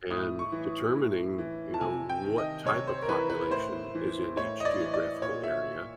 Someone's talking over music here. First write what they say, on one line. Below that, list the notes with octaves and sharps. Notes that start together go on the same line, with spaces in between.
and determining, you know, w what type of population is in each geographical area,
A2 D#6
C#6
E3
A2
E3
A5
C3 G#5
G5
D#3
D#5
C3 C#5
C5
A#4
E3 B4
B4
A2 C5
E3
A2 C#5
D#5
D5
E3
D5
A#2 C#5
E5